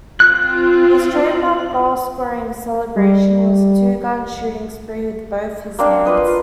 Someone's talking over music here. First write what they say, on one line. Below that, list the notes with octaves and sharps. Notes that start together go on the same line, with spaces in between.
His trademark goal-scoring celebration was a two-gun shooting spree with both his hands.
C4 F4 F#6
G3
A#3 C4 D4
F4 B4 D#5
F4